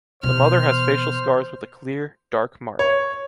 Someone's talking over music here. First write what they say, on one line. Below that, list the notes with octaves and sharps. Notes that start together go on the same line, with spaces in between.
The Mother has facial scars with a clear, dark mark.
B2 E3 C5 F6
C#5